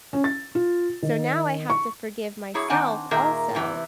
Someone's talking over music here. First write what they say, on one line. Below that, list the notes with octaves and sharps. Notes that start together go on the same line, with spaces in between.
So now I have to forgive myself also,
C#4
A6
F4
D#3
C#6
F#3 E4 G#4 C#5
D#3 C4 D4 F#5 G#5
A#2 D#3 G#4 A#4 E5
C3 E3